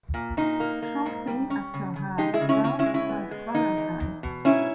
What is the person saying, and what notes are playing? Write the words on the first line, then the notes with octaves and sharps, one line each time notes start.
Shortly after her birth her father died.
A#2
A#2 D#4
A#3
A#3
G#2
G3
C#4
C#3
C#3
G#3 D#4 G4
E4 G#4
C#3
C#4 E4
C#3 C#4 E4
C#4 E4
G#3
C#4 E4
B3
G#3
E2 D#4
E2
E2
B2
G#2 C#4 E4